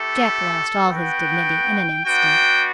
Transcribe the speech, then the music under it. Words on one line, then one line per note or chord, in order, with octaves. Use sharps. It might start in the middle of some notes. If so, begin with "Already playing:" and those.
Jack lost all his dignity in an instant.
Already playing: A3 E4 G4 A4
B3 F#4 G5
B3 D4 F#4 G5